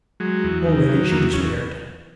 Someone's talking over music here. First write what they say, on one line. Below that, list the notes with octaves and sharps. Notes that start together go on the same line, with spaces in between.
Already she despaired.
F#3 G#3
E2
D#3
F#3
E2 A#3
E2 C#4